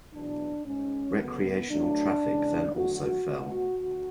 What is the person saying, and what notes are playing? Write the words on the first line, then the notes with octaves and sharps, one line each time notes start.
Recreational traffic then also fell.
E2 B2 F#3 D4
G#2 G#3 C#4
D2 C#3 F#3 A3 B3
A2 F#3 A3 D4
E2 C#3 G#3
E2 D3 F#3 A3 F#4
B2 A3
D2